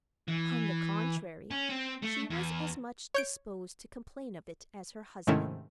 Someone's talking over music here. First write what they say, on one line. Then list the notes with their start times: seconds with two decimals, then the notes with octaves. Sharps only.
On the contrary, she was as much disposed to complain of it as her husband.
0.28 E3
1.51 C#4
1.69 C4
2.02 A3
2.30 E2
3.14 C#5 G6 D7
5.27 G#2 C3 D#3 A3 C#4 E4